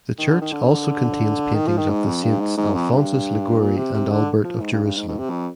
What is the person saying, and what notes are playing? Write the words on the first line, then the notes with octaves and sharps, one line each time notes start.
The church also contains paintings of the saints Alphonsus Liguori and Albert of Jerusalem.
D#3
D3
D#3
D3
D#3
F3
D#3
G#2
F2
G2
G#2
G#2
F2
G2
A#2
C3
C3
D3
F3
G#2
G2
G2
G#2
G#2
C3
F2